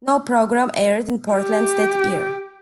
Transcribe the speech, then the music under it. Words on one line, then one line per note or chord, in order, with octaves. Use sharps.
No program aired in Portland that year.
G4